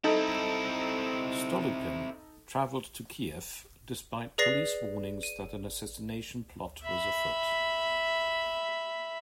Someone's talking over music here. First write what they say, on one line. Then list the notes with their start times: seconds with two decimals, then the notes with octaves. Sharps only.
Stolypin traveled to Kiev, despite police warnings that an assassination plot was afoot.
0.04 C4 D#4 E4 A4
4.38 G#4 B4 D5 A#6 C7
5.23 D#7
6.84 E5 B5